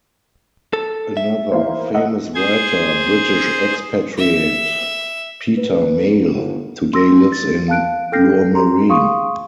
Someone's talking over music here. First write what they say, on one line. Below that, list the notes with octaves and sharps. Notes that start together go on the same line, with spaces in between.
Another famous writer, British expatriate Peter Mayle today lives in Lourmarin.
A4
E5
E3 A#3 C5
D#5 F#5 E6
G#4 C5 G#6
E5
B4
G1
C6 E6 A#6
A6
F5 A5 F#6 D7
A4 G5 F6 G6 A#6 C7
G4 A#5 C6
G#4 F5 C6 C#6 D#6